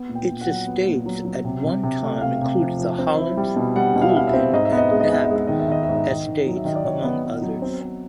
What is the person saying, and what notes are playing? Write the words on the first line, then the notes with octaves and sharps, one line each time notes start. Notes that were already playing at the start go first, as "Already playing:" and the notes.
Its estates at one time included the Hollins, Gulden, and Knapp estates, among others.
Already playing: B3
A#2
G5
A#2
F#5
F#3
B3
A#2
F#3
F#3
C3
C3
C3
A3
C3 F5
C3
F3
F3
C4
E4
G3
B2
G3 F#5
B2
F5
E5
E4 F5
E5
C4
G#2 D#5
E5
B3
D#5
G#3 E5
D#5
B3 E5
D#5
G#3 E5
D#3 D#5
E5
D#3 D#5
E5
G#2
D#5
D#3
D#3
F#3
E5
D#3 D#5
D5
D#3 C#5
B3
B3
F#3
C4
C4